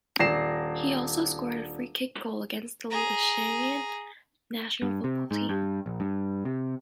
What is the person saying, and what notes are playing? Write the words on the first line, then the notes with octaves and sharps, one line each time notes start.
He also scored a free-kick goal against the Liechtenstein national football team.
D#1 D4 A#6 C7 E7
G#4 A#5
G2
C3
G#2
G2
A#1
G2
C3